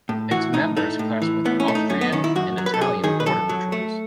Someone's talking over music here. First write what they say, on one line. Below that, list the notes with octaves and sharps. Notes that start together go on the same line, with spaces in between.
Its members clashed with Austrian and Italian border patrols.
A2
E3 F#4
A2 D#4
A3 D#4
A2
E3
A2 B3
C#4
A3
D#4
F#2 C#4
B3
D#3 C#4
E4
F#2 F#4
F#3
B4
A4
F#2 G#4
D#3 G#4
B4
F#2 A4
F#3
A3